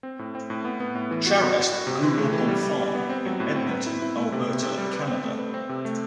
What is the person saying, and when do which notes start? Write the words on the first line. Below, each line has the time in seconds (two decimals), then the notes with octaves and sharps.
Charest grew up on farm in Edmonton, Alberta, Canada.
0.03 C4
0.19 A2
0.35 C4
0.50 A2
0.65 B3
0.80 B3
0.95 A2
1.11 E3
1.26 F#4
1.41 F#4
1.57 F#4
1.73 F#4
1.87 C3
2.03 E3
2.18 A3
2.33 E3
2.48 G3
2.63 G3
2.79 G3
2.95 B3
3.09 C4
3.26 F#3
3.40 A2
3.56 C4
3.71 B4
3.86 E4
4.02 E4
4.16 A3
4.32 C3
4.47 C3
4.63 C3
4.78 G3
4.93 B4
5.08 C4
5.24 A3
5.39 B4
5.54 C4
5.69 C3
5.85 A3